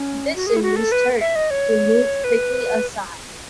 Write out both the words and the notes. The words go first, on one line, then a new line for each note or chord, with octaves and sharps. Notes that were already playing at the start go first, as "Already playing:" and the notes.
This in its turn he moved quickly aside.
Already playing: C#4
F#4
G#4
E4
F#4
A4
B4
E5
D#5
C#5
B4